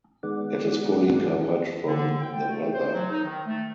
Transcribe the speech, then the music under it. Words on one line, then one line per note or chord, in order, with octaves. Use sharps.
It is fully covered from the weather.
D#3 G#3 B3 D5 F#5
D3
G5
A3
C5
F#3
D#4
D#3
A3